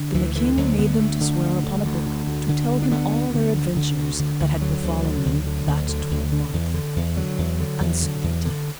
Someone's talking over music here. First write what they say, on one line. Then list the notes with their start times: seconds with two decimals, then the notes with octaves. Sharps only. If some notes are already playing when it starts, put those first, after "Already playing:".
Then the king made them to swear upon a book to tell him all their adventures that had befallen them that twelvemonth, and so they did.
Already playing: D3
0.14 D2 E3
0.36 D3 E3
0.57 D2 F#3
0.79 D3 B3
0.99 D2 A3
1.21 D3
1.42 D2
1.64 D3
1.85 D2
2.06 D3
2.27 D2
2.49 D3
2.70 D2
2.82 D4
2.91 D3 B3
3.13 D2
3.34 D3
3.55 D2
3.76 D3
3.97 D2
4.19 D3
4.40 D2
4.61 D3 F#3
4.83 D2
5.04 D3
5.26 D2
5.47 D3
5.68 D2
5.89 D3
6.11 D2
6.32 D3
6.53 E2
6.74 D3
6.96 E2
7.17 D3 F#3
7.38 E2
7.60 D3
7.80 E2
8.02 D3
8.24 E2
8.45 D3